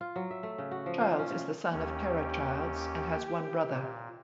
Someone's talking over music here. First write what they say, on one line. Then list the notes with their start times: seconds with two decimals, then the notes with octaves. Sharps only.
Childs is the son of Kara Childs and has one brother.
0.01 F4
0.16 F#3
0.31 E5
0.43 A3
0.58 C#3
0.71 F#4
0.86 F3
1.01 F4
1.19 C#4
1.31 C#3
1.72 D#2 C#4 G4
3.69 A#2